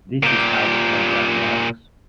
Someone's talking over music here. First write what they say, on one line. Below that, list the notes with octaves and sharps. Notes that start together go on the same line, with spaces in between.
This is how the program works.
A#2 G4